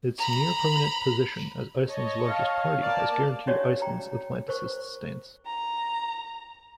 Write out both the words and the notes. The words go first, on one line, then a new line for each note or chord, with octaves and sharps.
Its near-permanent position as Iceland's largest party has guaranteed Iceland's Atlanticist stance.
A#5 B5
C#5 D#5 A5
F5
A#3 D5 A5
C#4 D4 F#4 G4 C#5 D5
G5 A#5
A#4 C5 C#6
A#5